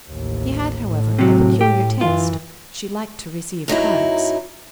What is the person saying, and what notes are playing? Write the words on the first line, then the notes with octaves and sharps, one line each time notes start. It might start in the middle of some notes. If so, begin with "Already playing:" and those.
She had, however, a peculiar taste; she liked to receive cards.
A1 D#2
A2
C3 F#3
G4
F#2 E3 F4
F#2 F#3 D#4 E4